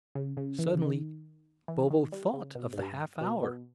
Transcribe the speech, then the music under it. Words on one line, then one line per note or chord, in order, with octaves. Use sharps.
Suddenly Bobo thought of the half-hour.
C#3
C#3
E3
D#3
C#3
D#3
E3
D#3
G3
C#3
B2
G#2
G2
B2
B2